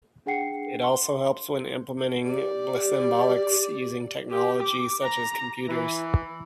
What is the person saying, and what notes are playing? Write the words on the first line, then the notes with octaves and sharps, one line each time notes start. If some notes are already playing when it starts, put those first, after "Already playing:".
It also helps when implementing Blissymbolics using technology such as computers.
D4 G#4 F#5 G5 C7 C#7
C6 G7
G4 D5
G4
D6
A#5
E3